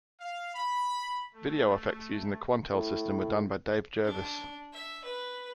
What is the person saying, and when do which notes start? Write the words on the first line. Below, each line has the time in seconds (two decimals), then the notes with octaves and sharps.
Video effects using the Quantel system were done by Dave Jervis.
0.20 F5
0.55 B5
1.35 A3
2.71 A2
4.04 D4
4.73 E5
5.04 B4